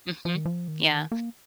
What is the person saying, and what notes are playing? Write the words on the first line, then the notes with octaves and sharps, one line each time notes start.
mhm, yeah.
F3
D#3
F3
D#3
A#3